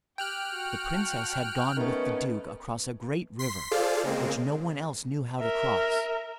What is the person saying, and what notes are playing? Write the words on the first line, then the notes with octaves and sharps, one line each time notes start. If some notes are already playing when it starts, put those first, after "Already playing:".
The princess had gone with the duke across a great river which no one else knew how to cross.
G4 G5 F6 F#6
F#4
A5
D#3 A3 B3 C#4
C6 B6 C7
F4 G#4 A4 C5 D5 F5
C#3 G#3 A#3 C4
A#4 E5